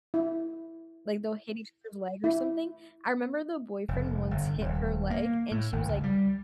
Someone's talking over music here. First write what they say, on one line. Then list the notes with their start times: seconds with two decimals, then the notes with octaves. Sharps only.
like, they'll hit each other's leg or something. I remember the boyfriend once hit her leg and she was like,
0.14 E4
2.24 E4
3.88 F1
4.31 G1
4.60 D#1
5.10 A#3
5.51 A2
5.73 G#1
5.89 C#2
6.03 G3